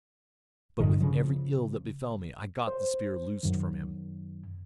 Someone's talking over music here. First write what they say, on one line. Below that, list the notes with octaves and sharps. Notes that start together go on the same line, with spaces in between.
But with every ill that befell me I got the spear loosed from him.
G2 D3 D#3
C#3 F3
C5
F#2 D#3